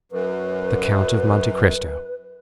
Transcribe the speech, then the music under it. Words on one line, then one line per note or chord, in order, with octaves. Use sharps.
"The Count of Monte Cristo."
F#2 B4